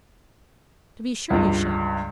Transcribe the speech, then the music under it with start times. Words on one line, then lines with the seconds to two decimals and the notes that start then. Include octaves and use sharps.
"To be sure you shall."
1.30 C#2 G2